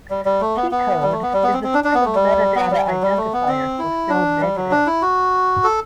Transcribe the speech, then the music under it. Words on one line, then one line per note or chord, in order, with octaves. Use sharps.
Keykode is a form of metadata identifier for film negatives.
G3
G3
A3
B3
B3
G3
A3
B3
G3
B3
C4
C4
D4
D4
B3
A3
G3
B3
G3
F#3
G3
A3
B3
C4
E4
D4
G3
F#3
D4
E4
F#4
A4